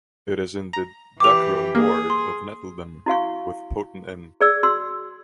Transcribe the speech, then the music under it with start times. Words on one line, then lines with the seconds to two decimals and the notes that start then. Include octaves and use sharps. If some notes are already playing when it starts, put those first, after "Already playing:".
It is in the Dacorum Ward of Nettlden with Potten End.
0.73 A#5
1.20 E3 G4 D6 F7
1.75 A#3 G#4
2.10 C6
3.06 E4 F#4 F5 C#6
4.41 G#4 D5 E6
4.63 F#4 C6 E6